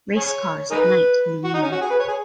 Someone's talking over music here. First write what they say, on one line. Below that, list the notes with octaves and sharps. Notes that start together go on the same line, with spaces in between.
Race cars at night in the rain.
G#4 C#5
D#4 G#4 B4
F#4
D#4
C#4
F#4
G#4
B4
C#5
G#4